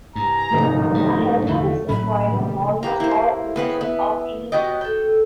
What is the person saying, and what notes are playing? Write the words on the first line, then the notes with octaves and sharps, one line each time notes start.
A helmet is required on almost all courses of any size.
C2 G2 G#5 A#5
D#4
G2 A3
E2 D3 E3
A2 F#3 C#4 B5
B2 G3
A#3 G4 B4 A#5
A#3 E4 C5
C#3 B3 C4 G#4 B4 F#5
B3 E5
B3 F#4 G4 D#5 D6
A4 G5